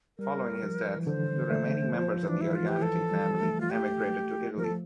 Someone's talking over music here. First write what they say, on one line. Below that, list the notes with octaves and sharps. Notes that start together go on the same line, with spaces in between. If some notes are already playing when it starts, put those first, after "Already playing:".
Following his death the remaining members of the Arianiti family emigrated to Italy.
G3 A#4
F3
E3
D3 C5
A3
F3
E3 D4
E4
E3 F4
E3 G4
F3 A4
G3
A3
F4
A3 G4
F3 A#4
A4